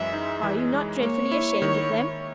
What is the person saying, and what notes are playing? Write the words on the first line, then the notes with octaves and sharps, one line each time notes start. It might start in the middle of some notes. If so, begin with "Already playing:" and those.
"Are you not dreadfully ashamed of them?"
Already playing: F#2 E3 G#3 E5
D#4
E3
G#3
A#3 C#5
E4
D#3
D#3